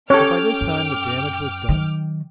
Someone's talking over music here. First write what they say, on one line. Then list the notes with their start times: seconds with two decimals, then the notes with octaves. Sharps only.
But by this time the damage was done.
0.10 C#4 G4 A4 C#5 G5 D6 F6
0.61 F#2
1.69 D#3 F#3